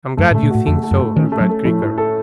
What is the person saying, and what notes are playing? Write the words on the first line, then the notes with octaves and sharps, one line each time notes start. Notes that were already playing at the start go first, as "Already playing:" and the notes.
"I'm glad you think so," replied Creaker.
F#2 A3
A2
A3
A#2
A2 F#4
F2 A3
A3
F#2
A3
D#3 C#4
A3
F#3
A4
A2 F3
A2
A4